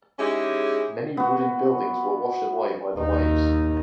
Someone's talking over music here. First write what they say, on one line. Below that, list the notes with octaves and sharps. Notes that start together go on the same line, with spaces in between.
Many wooden buildings were washed away by the waves.
G#3 C#4 D#4 E4 G4 G#4
B3 F#4
D#2 D#4